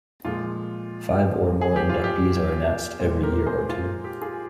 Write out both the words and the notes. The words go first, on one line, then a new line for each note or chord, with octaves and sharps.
Five or more inductees are announced every year or two.
A#2 F3 G#3 F4
G#4
G4
F4
G4
A#2 G#3
G4 A#4
A#4
G#4 C5
F4 G#4
G4
F4 G#4